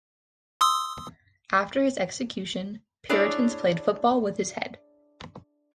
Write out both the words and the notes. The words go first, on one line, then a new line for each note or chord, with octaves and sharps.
After his execution, Puritans played football with his head.
C6 D#6 E6
D4 E4 G#4 C#5 D5